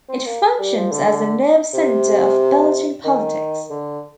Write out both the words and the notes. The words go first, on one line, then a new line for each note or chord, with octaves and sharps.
It functions as the nerve center of Belgian politics.
C4
A#3
G3
F3
D3
D3
C3
D#3
D3